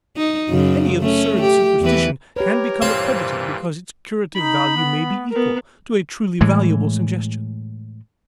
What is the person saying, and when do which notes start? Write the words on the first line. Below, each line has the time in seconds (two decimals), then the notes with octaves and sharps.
Any absurd superstition can become accredited because its curative value may be equal to a truly valuable suggestion.
0.17 D#4
0.49 F#2 C#3 F#3
1.00 A3 C#4
1.42 G4
1.81 E2 E3 B4
2.36 G4 A#4 B4 C#5
2.82 G2 A#2 E3 C4 F5
4.35 D#4 B5
4.76 B3
5.31 B3 A#4
6.41 A2 E3 G#3